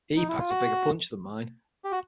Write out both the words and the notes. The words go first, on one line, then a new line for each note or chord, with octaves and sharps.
He packed a bigger punch than mine.
D#4
E4
F4
F#4
G4
F#4